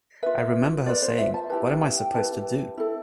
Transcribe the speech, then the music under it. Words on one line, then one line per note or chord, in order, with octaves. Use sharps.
I remember her saying What am I supposed to do?
F4 B4 E5
F4 B4 D5
C5
E5
A5
E4 G4 B4 A5
G5
E4 G4 B4 A5
E4 A4